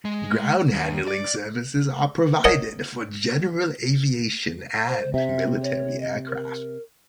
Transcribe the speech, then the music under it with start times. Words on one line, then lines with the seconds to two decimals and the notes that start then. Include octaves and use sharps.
Ground handling services are provided for general aviation and military aircraft.
0.05 G#3
0.73 D#2
1.08 D5
2.44 A#4 C#5 D#5 F#5 G#5 A5
4.88 C5
5.14 C3 E5
5.63 C#5
6.00 D#5
6.28 A#4